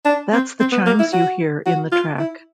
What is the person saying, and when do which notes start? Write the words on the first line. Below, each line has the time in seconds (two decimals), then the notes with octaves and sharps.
That's the chimes you hear in the track.
0.05 D4
0.32 C4
0.60 C4
0.72 B3
0.86 A#3
0.99 E4
1.13 F#4
1.66 F#4
1.92 F4
2.19 E4